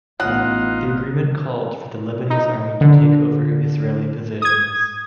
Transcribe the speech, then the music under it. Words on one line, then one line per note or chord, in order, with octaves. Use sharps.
The agreement called for the Lebanese Army to take over Israeli positions.
A1 B3 D#4 F4 F#5 F#6
D#4
D3
D#6 G#6